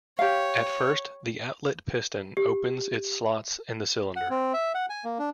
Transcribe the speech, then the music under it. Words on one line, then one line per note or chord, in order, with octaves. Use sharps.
At first, the outlet piston opens its slots in the cylinder.
G4 C#5 F5
G4
F#5
C4
E5
F#5
G#5
A#3
D4